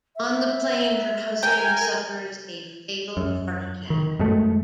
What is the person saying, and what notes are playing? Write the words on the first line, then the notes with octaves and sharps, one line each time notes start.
On the plane, her husband suffers a fatal heart attack.
E5
A#4 G5 G#5
F#2
D#3
F#2 G#3 A3